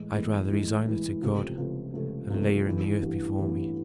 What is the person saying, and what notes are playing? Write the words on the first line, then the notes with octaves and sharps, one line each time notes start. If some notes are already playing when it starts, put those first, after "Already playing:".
I'd rather resign her to God, and lay her in the earth before me.'
Already playing: A2 E3 G#3
A2 E3 G#3
A2 E3 G#3
A2 E3 G#3
C#2 C3 F3 A3
C#2 C3 F3 A3
C#2 C3 F3 A3
C#2 C3 F3 A3
A1 G2 E3
A1 G2 E3
A1 G2 E3